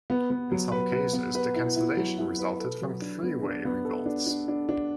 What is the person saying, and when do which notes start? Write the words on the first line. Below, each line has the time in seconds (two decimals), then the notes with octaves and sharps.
In some cases, the cancellation resulted from freeway revolts.
0.10 B3
0.30 B3
0.52 F#3
0.72 B4
0.92 B4
1.13 B3
1.35 B4
1.55 E4
1.76 E4
1.97 F#3
2.18 E4
2.39 B4
2.60 A4
2.82 F#3
3.01 D4
3.23 B3
3.43 D4
3.65 B3
3.85 A4
4.06 D4
4.27 D4
4.48 D4
4.69 D4